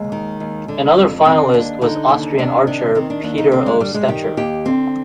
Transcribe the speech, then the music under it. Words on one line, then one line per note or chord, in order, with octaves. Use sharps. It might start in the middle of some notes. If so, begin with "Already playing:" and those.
Another finalist was Austrian archer, Peter O. Stecher.
Already playing: D#2 G#3
D#3
D#2
D3
F2
D3 C4
D#2 D4
D3 D#4
D#2
C3 D4
D#3 D4
D#3 C4
D4
D#2 D4
D#4
D3 C4
G#3
G2 G3
G#3
D#3 G4
D#2 G4
D3 C4